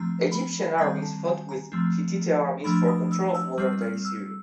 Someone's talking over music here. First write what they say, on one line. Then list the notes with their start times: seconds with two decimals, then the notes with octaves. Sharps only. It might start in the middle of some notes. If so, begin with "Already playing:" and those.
Egyptian armies fought with Hittite armies for control of modern-day Syria.
Already playing: F3 A3 C4 A#5
0.32 B5
0.78 D#3 G3 C4 A#5
1.02 A5
1.25 G#5
1.49 A#5
1.72 F3 A3 C4
2.64 F3 A3 D4 B5
2.88 D#6
3.12 E6
3.35 E6
3.58 G3 C4 F6
3.81 F6
4.05 E6